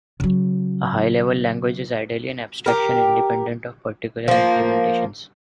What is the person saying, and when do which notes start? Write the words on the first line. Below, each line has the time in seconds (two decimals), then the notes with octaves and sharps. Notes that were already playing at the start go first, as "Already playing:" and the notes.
A high level language is ideally an abstraction independent of particular implementations.
0.20 C#3 F#3
2.66 G4 A#4
4.28 F3 A#3